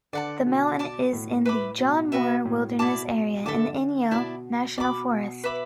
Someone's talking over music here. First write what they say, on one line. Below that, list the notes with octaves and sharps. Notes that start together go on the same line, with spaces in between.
The mountain is in the John Muir Wilderness Area in the Inyo National Forest.
D3 D5 F#5 A5
B2
D5 A5 D6
A2
B4 E5 B5 D6
B2
B2 F#4 B4 E5
A2
B2 E4 D5 A5 D6
D3 A4 E5 A5 D6
B2 E4 D5 A5
B2 D5 B5 D6
B2
B4 E5 B5 D6